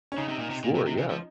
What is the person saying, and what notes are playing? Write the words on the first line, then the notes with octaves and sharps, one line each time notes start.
Sure, yeah.
C#4
C#3 D#4
C3
A#2
C3
A#2
C3
C3
C#3
F3